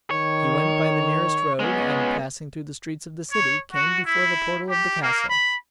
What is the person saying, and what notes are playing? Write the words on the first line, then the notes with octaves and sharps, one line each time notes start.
He went by the nearest road, and passing through the streets of the city, came before the portal of the castle.
D#3 C#5
G#3 B3 C#4
C#5
F#4
E4
G4
A#3
B5